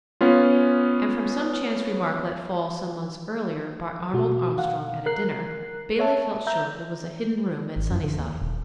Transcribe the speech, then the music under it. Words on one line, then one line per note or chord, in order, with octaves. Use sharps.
And from some chance remark let fall some months earlier by Arnold Armstrong at a dinner, Bailey felt sure there was a hidden room at Sunnyside.
B3 C#4 F4
B2 F#4
F5 F#5
A#4 F#6 C7
C#5 E5 A5
E5 A#5 G6
G#1
F#2
D3
D#2
D#1